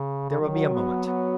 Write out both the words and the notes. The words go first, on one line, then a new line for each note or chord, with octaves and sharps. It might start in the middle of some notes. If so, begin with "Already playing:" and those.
There will be a moment!
Already playing: C#3
C#3
D#3 F#3
B3
B3